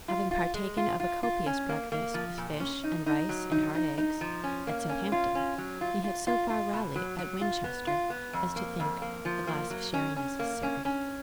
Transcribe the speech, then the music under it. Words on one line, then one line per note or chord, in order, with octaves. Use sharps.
Having partaken of a copious breakfast, with fish, and rice, and hard eggs, at Southampton, he had so far rallied at Winchester as to think a glass of sherry necessary.
F4
F4
G#3
F4
F4
F4
C#4
A#3
A#3
F3
A#2
C#4
D#4
D#4
F#3
D#4
D#4
D#4
F3
C#4
A#3
C#4
F4
C#4
F#3
F4
F4
F4
F4
B2
F#3
F#3
F4
B3
F4
B3
F2
A#3
F2
A#3
F3
A#3
F#3
C#4
C#4
A#3
C#4
C#4